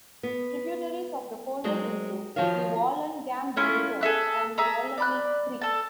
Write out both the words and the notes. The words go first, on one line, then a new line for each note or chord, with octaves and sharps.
Tributaries of the Colo include the Wollangambe River and Wollemi Creek.
B3
F#3 G#3 C4 D#4
D#3 F3 F#4 C#5 F5
A3 C#4 E4 F4
G#4 A4 E5 F#6
G#4 E5 A#5
D5 B5 F#6
A4 A5